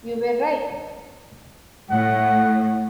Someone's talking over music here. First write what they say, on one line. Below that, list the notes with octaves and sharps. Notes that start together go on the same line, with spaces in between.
You were right!
A2 F#5